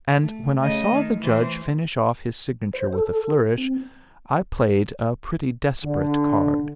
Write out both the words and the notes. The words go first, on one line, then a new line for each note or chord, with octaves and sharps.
And when I saw the judge finish off his signature with a flourish, I played a pretty desperate card.
A3
C#3 A3 D#5
D#3
E3 C5
C5
A4
C4
D3